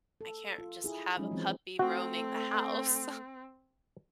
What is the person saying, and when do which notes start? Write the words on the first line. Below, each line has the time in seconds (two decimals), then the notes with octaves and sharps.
I can't just have a puppy roaming the house."
0.21 A4
0.58 F4
0.84 E4 G#4
1.17 F3 F#3 G#3 C#4 D#4
1.31 E3 F3 G#3 B3 C4
1.79 A3 C4 F#4